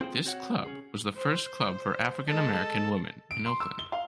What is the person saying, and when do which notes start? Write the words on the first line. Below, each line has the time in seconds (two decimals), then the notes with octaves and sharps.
This club was the first club for African American women in Oakland.
0.01 C4 F4 G#4 C5 F#5 G5
0.26 C4 F#4 C#5 F#5
0.65 C#4 G#4
1.14 C5
2.28 G#3 A4 D#5
3.31 D7
3.46 C6
3.60 E6
3.79 G7
3.92 F5